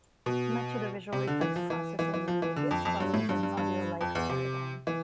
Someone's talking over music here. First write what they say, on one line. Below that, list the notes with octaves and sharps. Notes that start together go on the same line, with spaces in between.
Much of the visual effects processing in Vegas follows an audio-like paradigm.
B2
C3
D3
E3
F3
E3
E3
E3
F3
E3
D3
F2
F2
G2
A2
G2
G2
G2
F2
E2
C3
E3